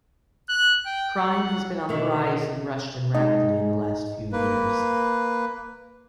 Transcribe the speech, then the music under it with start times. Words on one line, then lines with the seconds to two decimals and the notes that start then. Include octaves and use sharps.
Crime has been on the rise in Rushden rapidly in the last few years.
0.49 F#6
0.86 G5
1.18 F#5
1.89 B2 D3 D#3 E5
3.15 G#3 D#4 D#5
4.32 A#3 B4